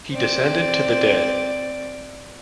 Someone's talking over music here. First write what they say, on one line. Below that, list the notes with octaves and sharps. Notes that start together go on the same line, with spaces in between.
He descended to the dead.
C4 D5